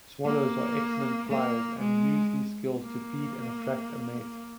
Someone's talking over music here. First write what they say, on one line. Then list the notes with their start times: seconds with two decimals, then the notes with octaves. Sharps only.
Swallows are excellent flyers, and use these skills to feed and attract a mate.
0.25 A#3
1.28 A#3
1.79 G#3
2.83 A#3